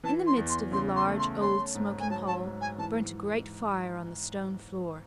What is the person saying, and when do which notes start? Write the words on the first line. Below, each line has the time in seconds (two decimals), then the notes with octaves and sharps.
In the midst of the large, old, smoking hall burnt a great fire on the stone floor.
0.04 E3 A5
0.26 C6
0.37 E2
0.49 C6
0.72 C#3 C6
0.95 C6
1.07 A3
1.18 C6
1.41 C#4 C6
1.75 G#2
1.99 G#5
2.10 F#3 A5
2.26 A5
2.44 G#2
2.61 G#5
2.78 E3 A5